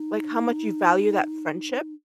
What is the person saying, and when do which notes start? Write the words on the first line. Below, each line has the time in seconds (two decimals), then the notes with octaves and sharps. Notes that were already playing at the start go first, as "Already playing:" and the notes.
Like, how much you value that friendship?
Already playing: D#4